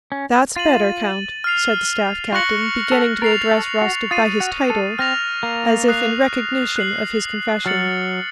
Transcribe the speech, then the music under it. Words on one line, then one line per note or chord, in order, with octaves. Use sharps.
"That's better, Count," said the staff captain, beginning to address Rostov by his title, as if in recognition of his confession.
C#4
F4 A6 D#7 F#7
F6 C7 F7
F4 C#6 F#6 A#6 C#7 F#7
A4
A#4 A6 C7 F7
A4
F#4
F4 D#6 A6 C7 D#7
F#4
A4
C4 F6 A#6 F7
A#3
D#6 F#6 C7 F7
F#6 C7 F#7
F#3 F6 A6 C#7 F#7